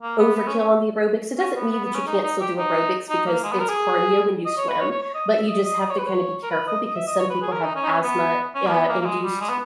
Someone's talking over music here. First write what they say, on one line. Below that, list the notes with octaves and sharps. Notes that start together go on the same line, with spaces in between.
overkill on the aerobics, it doesn't mean that you can't still do aerobics because it's cardio when you swim, but you just have to kinda be careful because some people have asthma, uh, induced
A#3
B3
B3
C#4
C#4
C#4
B3
B3
B3
C#4
D#4
D#4
G4
D#4
D#4
A#3
G#3
B3
A#4
G#4
D#5
C#5
B4
C#5
C#5
C#5
D#5
E5
D#5
D#5
D#5
C#5
B4
C#5
A#4
B4
D#5
D#5
E5
D#5
C#5
B4
G#4
A#4
D#4
C#4
D#4
C#4
B3
C#4
A#3
B3
A#3
A#3
G#3
G3
G#3
B3